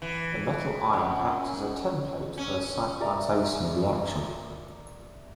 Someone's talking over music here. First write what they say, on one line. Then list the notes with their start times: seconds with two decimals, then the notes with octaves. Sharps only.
The metal ion acts as a 'template' for the cyclization reaction.
0.02 E3
0.93 F#2
2.38 C#4
3.00 A#4 D5 E5 A#5